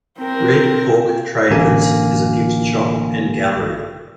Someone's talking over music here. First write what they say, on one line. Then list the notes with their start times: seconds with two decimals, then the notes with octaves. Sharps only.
Red Hawk Traders is a gift shop and gallery.
0.18 C4 A#4
1.50 A1 D3 A#3 G#5